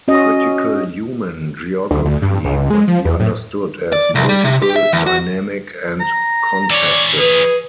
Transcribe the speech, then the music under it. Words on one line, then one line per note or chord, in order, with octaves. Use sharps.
Critical human geography must be understood as multiple, dynamic, and contested.
C#4 F#4 D#5
D2
D2
G2
C#2
G#3
F3
E2
A2
D5
C2
G3
C3
G4
E5
E2
F#4
A#5
E3 C#5 D5
G#4 B4